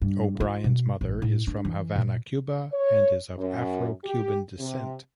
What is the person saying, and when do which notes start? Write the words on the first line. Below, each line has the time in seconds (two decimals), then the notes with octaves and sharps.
O'Brien's mother is from Havana, Cuba, and is of Afro-Cuban descent.
0.02 G2
0.40 F4
0.64 B2
1.01 A1
1.22 A2
1.47 D4
1.65 E3
1.96 A#2
2.72 C#5
3.37 F#2
4.04 G4
4.59 C3